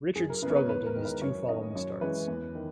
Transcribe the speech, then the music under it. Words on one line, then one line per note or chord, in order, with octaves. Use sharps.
Richard struggled in his two following starts.
F#2 G#4
A#4
C#3 G#3 B3 B4
C#5
B4
E2 B4
A#4
D#3 G#3
B4
F#2 C#5
D#3 A#3 C#4 D#5
F#2 C#5
E3 G#3 C#4 B4
E2
D#3